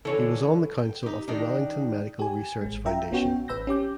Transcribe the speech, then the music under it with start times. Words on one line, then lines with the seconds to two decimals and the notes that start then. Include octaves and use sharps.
He was on the council of the Wellington Medical Research Foundation.
0.05 D3 E3 A4 C#5
0.79 G5
1.03 D#4 G4
1.28 D#3 D4 D#4
2.19 G4 G#5
2.61 A1 G#3
2.85 F4 E5 G5 A#5
3.11 A#1 B3 C#4 F#4 C#5 G5
3.48 A1 B4 B5 E6 G6 A#6
3.67 C#4 G4 D6 G6